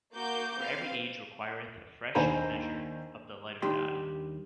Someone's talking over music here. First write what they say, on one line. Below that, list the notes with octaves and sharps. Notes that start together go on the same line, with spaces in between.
For every age requireth a fresh measure of the light of God.
A#3 F#4 D6 G6
C4 B4 F5
D#2 D4 C5 G#5 A#5 B5
D#2 G3 D4 D#4 G4 C6